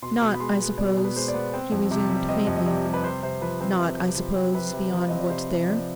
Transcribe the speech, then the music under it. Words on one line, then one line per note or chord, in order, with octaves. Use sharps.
'Not, I suppose,' he resumed faintly--'not, I suppose, beyond what's there.'
B2 C6
B2
B5
G#3 C6
B3
B2 D5
B2
B4
G#3 C5
D5
B3
C4
F2
C3
G3
C4 D#5
F2
D#5
C3 D5
G3
B4
C3 C5
C3 C5
F3 B4
C4 C5
C3 B4
C3
F3
C4
C3 B4
C3
F3
F5
C4 D#5
D5
C3 C5
C3
F3 D5